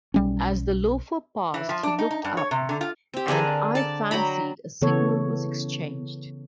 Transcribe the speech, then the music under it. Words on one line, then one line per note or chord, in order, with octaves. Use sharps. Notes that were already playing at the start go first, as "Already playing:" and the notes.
As the loafer passed he looked up, and I fancied a signal was exchanged.
B1 G3 C#4
E3
F3
D4
D#4
D#4
G2
C#5
C3
D3
F4
C4 G4
D3 D4 G#4 A#4
D5 A5
F#3 G5 A#5 B5
C#3 E3 B3 A4 C#5